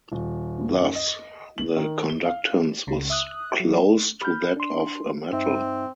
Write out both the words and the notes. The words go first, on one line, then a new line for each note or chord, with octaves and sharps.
Thus the conductance was close to that of a metal.
D#1
F#2
D#5
F#7
D#3
G7
F5
C#2 C#3
E5 D#6 F#6
F#3
B5 F6 G6
D4 C6
G2 C4 D#4 E5